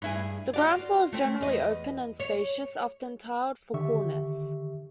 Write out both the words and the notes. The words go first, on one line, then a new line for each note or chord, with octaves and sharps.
The ground floor is generally open and spacious, often tiled for coolness.
G2 E4 G#4
F4 F#4 D5
A3 C4
E2 D#5
C#5
D3 D#3 G4 E5 C#6